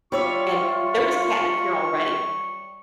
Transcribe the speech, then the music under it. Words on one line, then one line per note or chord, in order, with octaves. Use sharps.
and there was catnip here already
G3 F4 C#5 E5 C#6